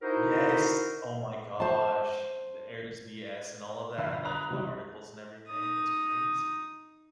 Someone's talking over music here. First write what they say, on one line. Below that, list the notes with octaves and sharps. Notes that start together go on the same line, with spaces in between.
Yes. Oh my gosh. The "-ers," the "-s" and all of that, like in the articles and everything, it's crazy.
D#4 E4 F#4 A#4 C5
C5 A5
G1 E5 F5 B5
A#5 B5 D#6 F#6 F7
C#2 G3
D#4 D#6